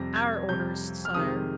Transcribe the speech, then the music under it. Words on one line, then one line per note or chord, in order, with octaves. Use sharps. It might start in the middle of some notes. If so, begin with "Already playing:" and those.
"Our orders, Sire."
Already playing: F2 C3 G3 A#6
G#6
F2 C3 G3 G6
F6
F2 C3 D#3 G#3 D#6